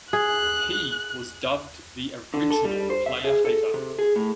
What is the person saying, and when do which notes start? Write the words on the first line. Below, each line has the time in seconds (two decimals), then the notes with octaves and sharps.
He was dubbed the Original Player Hater.
0.13 G#4 F#6
2.34 D3
2.51 A4
2.65 G3
2.90 C5
3.06 E5
3.24 G#4
3.45 A4
3.74 C3
3.99 G#4
4.16 A2